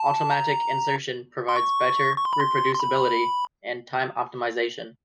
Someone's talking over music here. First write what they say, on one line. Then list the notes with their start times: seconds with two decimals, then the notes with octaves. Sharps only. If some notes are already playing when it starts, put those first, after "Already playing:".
Automatic insertion provides better reproducibility and time-optimization.
Already playing: A5
0.31 A#5
1.49 C6
1.56 C#6
2.18 C#6
2.25 C6
2.33 B5
2.40 C6
2.75 C6
2.80 B5